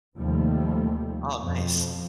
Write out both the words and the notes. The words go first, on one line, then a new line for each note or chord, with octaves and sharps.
Oh, nice.
D#2 C3 D#3 F3 G3 A3
F2 B2 F3